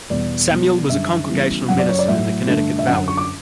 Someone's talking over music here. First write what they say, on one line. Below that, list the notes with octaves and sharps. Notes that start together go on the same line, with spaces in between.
Samuel was a Congregational minister in the Connecticut Valley.
E2 B2 G3 B3 D5
B2 G3 B3
F#2 D3 G3 E5
C#3 E3 G3 B3
F#2 C#3 F#3 F#5
D5
C#5
D5
A2 F#3 A3 E5
G2 D3 A3
E5
F#2 D3 F#3 F#5
C#6
D6